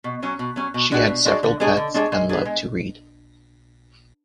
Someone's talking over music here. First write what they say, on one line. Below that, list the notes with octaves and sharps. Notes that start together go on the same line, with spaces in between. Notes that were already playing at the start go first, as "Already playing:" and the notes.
She had several pets and loved to read.
B2
F#3 C#4
B2
F#3 C#4
B2
G#3 D4 F#4
B2
G#3 D4 F#4
D3
G#3 D4 G#4 C#5
D3
G#3 D4 G#4 C#5
G#3
B3 D4 G#4
G#3